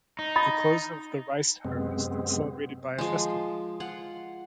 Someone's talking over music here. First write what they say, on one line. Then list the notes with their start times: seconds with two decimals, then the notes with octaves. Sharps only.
The close of the rice-harvest is celebrated by a festival.
0.19 D#4
0.36 B5 D#6 A6
1.65 F#2 C3 G#3 B3 C4
2.98 F3 G#3
3.80 F4 F#5